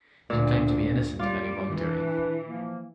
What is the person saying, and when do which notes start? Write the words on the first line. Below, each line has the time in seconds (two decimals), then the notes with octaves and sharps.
She claimed to be innocent of any wrongdoing.
0.30 D2 A#2
1.19 G3 F4 D6
1.74 E3 D4 E4 B4
2.48 F3 A#3